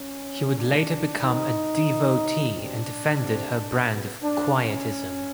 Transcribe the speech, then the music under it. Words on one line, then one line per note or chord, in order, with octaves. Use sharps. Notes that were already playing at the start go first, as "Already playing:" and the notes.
He would later become a devotee and defended her brand of Quietism.
Already playing: C#4
A2 E3 G3 A#3 D4
D#3 G#3 C4 D#4
A2 F3 A3
B2 G3 C4 D4
C3 F3 A3 C4
C#3 F#3 B3
D4
E3 G#3 B3 C#4